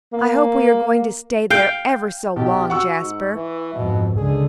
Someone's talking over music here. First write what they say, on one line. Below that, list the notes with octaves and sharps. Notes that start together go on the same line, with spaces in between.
"I hope we are going to stay there ever so long, Jasper."
A#3
F5 G5
B1 G4
F#4 F#5 C#6 E6
G#2
E3
F2 G#2 B2
C#2 D3 G#4